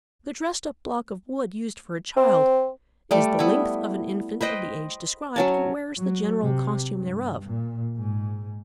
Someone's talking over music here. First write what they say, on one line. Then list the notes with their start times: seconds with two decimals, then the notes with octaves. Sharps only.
The dressed-up block of wood used for a child is the length of an infant of the age described and wears the general costume thereof.
2.17 C4
3.11 G3 A3 D5
3.39 B3 E4
4.41 B4 C5 D#5 G5
5.36 F#3 C#4 A5
5.98 F#3
6.40 C3
6.95 G2
7.45 A#2
7.96 G#2